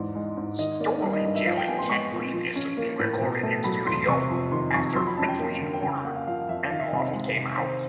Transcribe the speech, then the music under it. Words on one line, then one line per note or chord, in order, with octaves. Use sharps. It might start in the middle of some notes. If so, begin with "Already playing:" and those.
"Storytelling" had previously been recorded in studio after Between Order And Model came out.
Already playing: E2 G#2 E3 D5
G#3
G#2
D#3 D#5
A#3 D5
G3
D#5
G2
E5
F3 F5
G5
B3 G#5
C6
G#3 C#6
A#2
F3
C#4
A#3
A2
B2
A3
F#3 B5
E2 C6
C3 C#6
F2
D#3 C6
F2 C#6
F#3 C6
B5
C#4 A5
G5
A#3
D3
G5
C#3 G#5
G5
A#3 F#5
F5
F3 F5
F2 E5
D#3 F5
E5
C3 D#5
E5
G#3
C3
D#3 C5